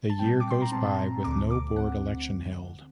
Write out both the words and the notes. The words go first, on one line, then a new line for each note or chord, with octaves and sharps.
The year goes by with no board election held.
A5
A#2 G3 C4 G5
D6
C6
A#5
A#2 G3 C4 A5
A#5
D2 D3 A3 C4 D6
D6
D2 D3 A3 C4 F#5